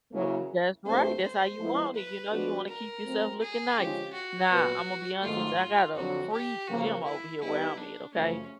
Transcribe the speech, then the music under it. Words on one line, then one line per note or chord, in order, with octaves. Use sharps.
Well, that's right, that's how you want it, you know, you wanna keep yourself looking nice. Now, Imma be honest with you, I got a free gym over here where I'm at, okay?
C#3 F#3 A#3 C#4 E4
G2 E3 A3 C4 C5
C5
F3 G#3 B3 E4
B4
F3 G#3 B3 D4 F#4
A#4
F#3 A3 C4
G#4
D3 F3 G#3 C#4 F4 G4
F#4
A#2 F#3 B3
G#2 D#3 F#3 A3 F4
F2 D3 F#3 F#4
G4
C#3 F3 A#3 F#4
E4
G3 B3 D#4 E4
D4
F#2 C#3 F3 A3 C#4